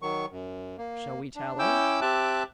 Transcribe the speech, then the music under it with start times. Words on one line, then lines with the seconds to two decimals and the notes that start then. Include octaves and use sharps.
"Shall we tell her?"
0.02 D#3 F#3 C#6
0.31 F#2
0.78 A#3
1.36 D4
1.59 C#4 E4 G5 D6 E6 G6
2.01 C4 G4 E5 A5 D6 F#6